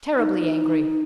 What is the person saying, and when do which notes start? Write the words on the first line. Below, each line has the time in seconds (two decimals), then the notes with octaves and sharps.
"Terribly angry."
0.18 D#4